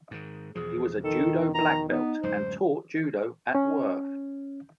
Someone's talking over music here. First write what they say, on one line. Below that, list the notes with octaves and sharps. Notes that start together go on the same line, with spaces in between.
He was a judo black belt and taught judo at Worth.
G#2 D#3
E2 B2 F3 G#4
D#3 A4
D#3 A#5
B3 D#4
D1 F#2 G#3 C5
C#4